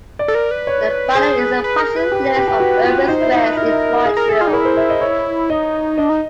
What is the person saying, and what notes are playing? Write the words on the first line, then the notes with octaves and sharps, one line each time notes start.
The following is an partial list of urban squares in Montreal.
D5
A4
A#4
B4
C#5
G#4 C5
B4
B4
A#4
B4
G4
G4
G4
G4
F#4
F4
D#4 C5
E4
D#4
B4
E4 A#4
D#4
E4
G#4
A#4
G#4 A4
F4
D#4
E4 A#4
C5
E5
D#5
C#5
D#4 D#5
D4 D#5
D#4